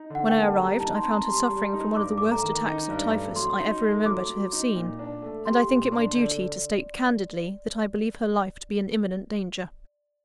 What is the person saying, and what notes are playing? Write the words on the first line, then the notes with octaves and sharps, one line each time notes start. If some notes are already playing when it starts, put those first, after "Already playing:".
When I arrived, I found her suffering from one of the worst attacks of Typhus I ever remember to have seen; and I think it my duty to state candidly, that I believe her life to be in imminent danger.
Already playing: D#4
D3 F#5
A#3 G5
A5
G3 A#5
D#4 A5
C6
C4 A#5
G3 C6
G3
D#4
G2 D6
A3 D6
A#5
D#3
D#4
G2
A3
F#3 C6
D#4
A3
F#3 D6
F#3
D#4
A#2
D4
A3
G4 C6
A#2
D4
D3 D5